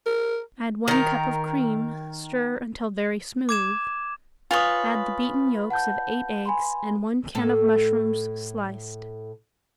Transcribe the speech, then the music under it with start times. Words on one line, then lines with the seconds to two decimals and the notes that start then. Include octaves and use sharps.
Add one cup of cream, stir until very smooth, add the beaten yolks of eight eggs and one can of mushrooms sliced.
0.06 A#4
0.88 D#3 A#4
3.49 D6 G#6 E7
4.51 F4 B4 C#5 G#5 D#6
5.70 F#5 A5 G6
6.46 G#5 B5 C6
7.35 A2 A4